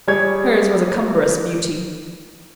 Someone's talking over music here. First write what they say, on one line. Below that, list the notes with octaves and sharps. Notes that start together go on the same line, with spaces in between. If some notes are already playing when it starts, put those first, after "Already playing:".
Hers was a cumbrous beauty.
G3 G#4 C#5 G#6